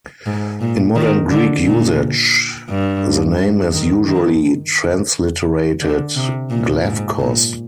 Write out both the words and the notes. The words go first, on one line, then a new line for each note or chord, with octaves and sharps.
In modern Greek usage, the name is usually transliterated "Glafkos".
G#2
A#2
D#3
D3
A#2
G2
D#3
D#3
D3
C3
A#2
G#2
A#2